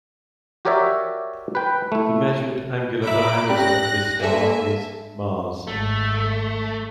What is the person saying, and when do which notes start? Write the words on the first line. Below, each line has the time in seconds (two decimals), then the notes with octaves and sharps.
The measured angular diameter of this star is mas.
0.65 F#4 G4 A#4 C#5 D5 E5
1.55 B4 G5
1.92 A3 E4
3.03 C#5 E5 A#5 B5 D6
3.49 C#4 G4 D5 F#6 A#6
4.19 A#3 A4 E5 G#5
5.67 G#1 A3